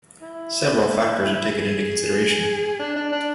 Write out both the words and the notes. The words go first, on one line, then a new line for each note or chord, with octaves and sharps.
Several factors are taken into consideration.
E4
G#4
D4
D4
D4